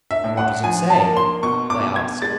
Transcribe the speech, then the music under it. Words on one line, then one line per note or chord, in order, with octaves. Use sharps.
"What does it say?" they asked.
E5
A2
F#5
F3 G#5
A5
A#3
C6
B2 C#6
D6
B2
G#6
G#3 A6